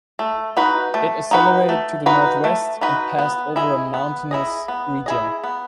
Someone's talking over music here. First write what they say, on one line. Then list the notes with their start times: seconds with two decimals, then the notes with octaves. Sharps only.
It accelerated to the northwest, and passed over a mountainous region.
0.19 A3
0.57 D#4 F#4 B4
0.94 A3
1.31 D#4 F#4 B4
1.69 A3
2.06 D#4 F#4 B4
2.44 A3
2.81 D#4 F#4 B4
3.19 B3
3.56 E4 G#4 D#5
3.94 B3
4.31 E4 G#4 D#5
4.68 B3
5.06 E4 G#4 D#5
5.44 B3